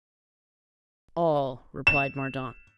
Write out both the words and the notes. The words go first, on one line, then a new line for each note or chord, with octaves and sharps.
"All," replied Mordaunt.
E7